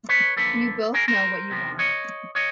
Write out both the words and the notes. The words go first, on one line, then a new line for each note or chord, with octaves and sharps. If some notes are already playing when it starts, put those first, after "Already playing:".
You both know what you want.
B4 C#5
F#2 D3 F3 A#3 A4 B4
G#4 A#4
A#4 C5
E2 C3 F3
C#5 D#5
C#5 D#5